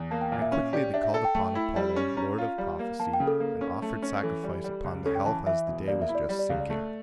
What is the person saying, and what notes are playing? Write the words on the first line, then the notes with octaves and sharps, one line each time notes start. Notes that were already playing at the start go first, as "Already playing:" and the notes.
And quickly they called upon Apollo, lord of prophecy, and offered sacrifice upon the health as the day was just sinking.
Already playing: E2
A#3 A5
G5
A#2 F5
E5
C#4 E5
G4 D5
D4 E5
E5
A4
G5
A3
E4
G3
C#4
C#4 A#5
F4
G3
A#3
A#3 A5
G5
C#3
A4
A#3
C#4
A3
C#4
E3 A4
G3
G3
C#2
C#4 A4
G5
E3 A5
E3 E5
E1
A#3 D5
E5
E4
D5
G3
D5
C#2 F5
D5
A3